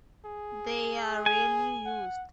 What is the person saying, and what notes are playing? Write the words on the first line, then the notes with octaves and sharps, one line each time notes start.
They are rarely used.
G#4
G#5
F#5